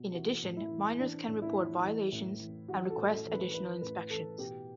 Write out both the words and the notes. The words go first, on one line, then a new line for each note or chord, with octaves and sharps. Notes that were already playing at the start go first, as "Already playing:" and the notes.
In addition, miners can report violations, and request additional inspections.
Already playing: B2
E3 F#4
A2
E4
E3
E3 D4
A2
E4
E3
E3
A2
E3
E3 F#4
A4
A2
A4
E3 A4
B4
E3 B4
A2 B4
E3 A4
B2 G4